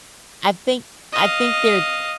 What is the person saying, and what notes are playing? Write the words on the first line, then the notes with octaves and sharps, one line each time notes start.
I think I think they're
D#5 F5